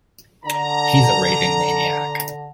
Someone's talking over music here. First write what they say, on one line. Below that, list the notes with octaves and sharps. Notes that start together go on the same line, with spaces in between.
He's a raving maniac.
D3 A#5